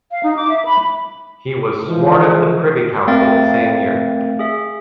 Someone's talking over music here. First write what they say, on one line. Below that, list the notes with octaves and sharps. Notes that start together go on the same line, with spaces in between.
He was sworn of the Privy Council the same year.
F5
D#4
D6
E5
B5
E3 F3 G#3
A3 C4 A#4 F5 G5 A6
G#4 E5